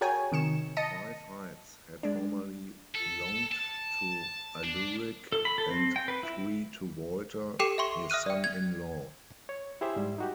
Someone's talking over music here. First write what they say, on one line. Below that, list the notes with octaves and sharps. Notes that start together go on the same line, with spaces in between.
Five hides had formerly belonged to Aluric and three to Walter, his son-in-law.
F#4 G#4 A#4 C#5 G5 G#5
C3 D#3 C#7 E7
D#5 A5 A#6 C#7 D#7
G#3 D4
A4
A5
D4
A4
B5
A4
C4
G5
B4
E4
G4 A4 G5 D6 C7 E7
E5 G5 C6 C#6
E5 D#6 F6 F#6 D#7
D5 G5
G#6
C#5
E4 G4 G#4 C5 E5
G#2 G3
D#4 F#4 G4